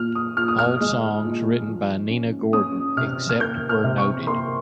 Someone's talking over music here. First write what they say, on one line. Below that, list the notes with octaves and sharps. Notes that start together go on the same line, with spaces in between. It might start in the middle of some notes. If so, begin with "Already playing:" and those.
All songs written by Nina Gordon, except where noted.
Already playing: A#2 F6
D#6
A#2 F6
D#6
F6
G#3
A#2
F3
C#4
C#4 D#6
C3 F6
F6
A#3 G6
F6
C3
C#6
A#3 C6